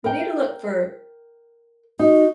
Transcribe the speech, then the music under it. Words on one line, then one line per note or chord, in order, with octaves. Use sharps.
you need to look for
A#4 G5
D#4 F#4